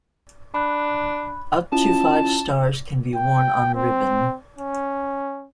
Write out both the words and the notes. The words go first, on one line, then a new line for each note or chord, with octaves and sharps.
Up to five stars can be worn on a ribbon.
D4 B5 F#6
C#4 E4 F4 A5
G5
C4
C#4